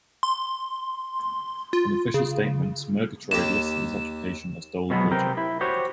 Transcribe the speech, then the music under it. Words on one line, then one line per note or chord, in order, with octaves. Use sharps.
In official statements, Murgatroyd listed his occupation as "dole bludger".
C6
F4
C#3
D#2 G4 E7
B2 F3 F#3 G#3 B3
C3 C4 A#4 G5
E4
F#4 G4 C5 C#5